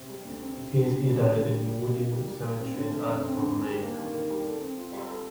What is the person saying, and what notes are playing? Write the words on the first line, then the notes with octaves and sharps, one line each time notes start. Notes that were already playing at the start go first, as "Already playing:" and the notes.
He is interred in Woodbine Cemetery in Ellsworth, Maine.
Already playing: C3 C4
G3
D2
C4
C3
D3
G3
A#3
D3
D3
G3
G3
A#3
D#4
G3
G3
A#3
C4
D3
A3
F2
C4
D3
D#3
G3
A#3
D#3
D#3
G3
A4
C4
F4
G3
A4